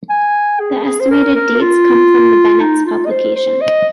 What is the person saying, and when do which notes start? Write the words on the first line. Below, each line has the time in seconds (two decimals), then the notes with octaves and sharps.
The estimated dates come from Bennett's publication.
0.10 G#5
0.60 G#4
0.85 G#4
1.00 C5
1.11 A#4
1.35 A#4
1.61 F4
2.60 D#4
2.86 F4
3.06 D#5
3.11 C5
3.36 C5
3.61 D#5